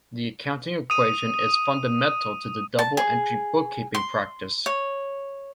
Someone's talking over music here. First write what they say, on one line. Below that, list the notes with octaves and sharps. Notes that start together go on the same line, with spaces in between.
The accounting equation is fundamental to the double-entry bookkeeping practice.
D#6 D#7
A5
G#4
C6
C#5